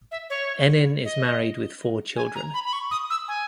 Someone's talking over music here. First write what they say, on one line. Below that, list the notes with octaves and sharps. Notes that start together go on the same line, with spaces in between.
Ennin is married with four children.
E5
C#5
D#5
G#5
A#5
B5
B5
C#6
D#6
E6
G#5